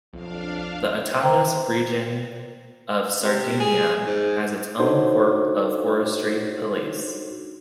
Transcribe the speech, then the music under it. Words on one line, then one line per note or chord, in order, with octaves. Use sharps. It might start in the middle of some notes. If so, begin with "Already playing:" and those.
The Autonomous Region of Sardinia has its own corp of forestry police.
B1 F2 D4 F5
C5 G5 A#5
C3
G#4
G#2
D4 D#4 F#4 A4 C5 C#5